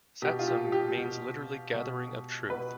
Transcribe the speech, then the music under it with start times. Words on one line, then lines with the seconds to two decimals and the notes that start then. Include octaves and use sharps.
Satsang means literally gathering of Truth.
0.22 B2 G4
0.39 F4
0.47 G4
0.72 G4
0.97 B2
1.74 B2
2.50 B2 B4